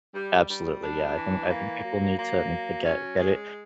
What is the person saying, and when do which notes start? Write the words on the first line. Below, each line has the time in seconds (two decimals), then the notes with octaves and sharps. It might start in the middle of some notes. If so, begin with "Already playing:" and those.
Absolutely, yeah. I think I think people need to need to get get it
0.14 G3
0.48 G3
0.82 D4
1.15 E3
1.49 A#3
1.83 F#3
2.17 A#3
2.51 F#3
2.84 C#4
3.18 G#3